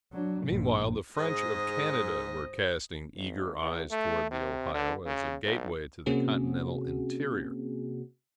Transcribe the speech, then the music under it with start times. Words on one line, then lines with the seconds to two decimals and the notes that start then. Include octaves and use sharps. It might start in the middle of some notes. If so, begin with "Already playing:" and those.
Meanwhile, the French of Canada were casting eager eyes toward the Ohio, as a gateway to the continental interior.
0.12 F#3 D4
0.45 A#1 G2
1.19 G#2 G#4 C5 D#5
3.16 G#1
3.61 E2
3.90 A3
4.31 C3
4.74 D3
5.06 C#3
5.45 B1
6.06 C3 A#3 C4 C#4 F#4 G#4